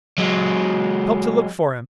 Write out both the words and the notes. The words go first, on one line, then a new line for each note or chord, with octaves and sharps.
Help to look for him!
F#3 G#3